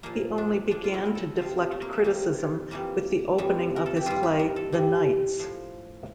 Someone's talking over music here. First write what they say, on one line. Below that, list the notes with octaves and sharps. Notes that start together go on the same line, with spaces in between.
He only began to deflect criticism with the opening of his play, "The Knights".
A#2 F3 A#3
D4
A#2 F3 D4
F4
E4
A#4
A4
E2 C3 F3 F4
A3
A#3
A3
E2 C3 F3 A#3
F2 E3 G3 A#3
F2 E3 G3
A#4
A4
G4
G2 E3 G3 F4
G4
A#4
A4
G2 E3 G3
A2 F3